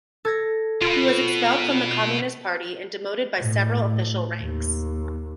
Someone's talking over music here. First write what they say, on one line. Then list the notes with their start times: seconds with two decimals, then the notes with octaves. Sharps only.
He was expelled from the Communist Party and demoted by several official ranks.
0.25 A4 G#6 A#6
0.82 B2 F4
3.40 A2
4.41 D#2